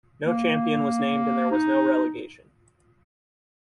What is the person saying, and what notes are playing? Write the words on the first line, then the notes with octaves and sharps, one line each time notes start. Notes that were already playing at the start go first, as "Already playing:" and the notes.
No champion was named and there was no relegation.
A#3
D#4